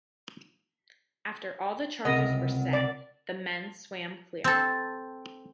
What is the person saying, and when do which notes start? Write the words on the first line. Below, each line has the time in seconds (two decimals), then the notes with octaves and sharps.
After all the charges were set, the men swam clear.
2.05 C#2 C3 C4 A#4 D#5 F#5
2.73 D5
4.44 C4 A4